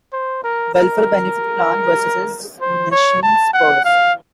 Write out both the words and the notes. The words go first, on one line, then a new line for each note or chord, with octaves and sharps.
Welfare Benefit Plan versus Nations Pers.
C5
A#4
A#4
C5
C#5
A5
F#5
F5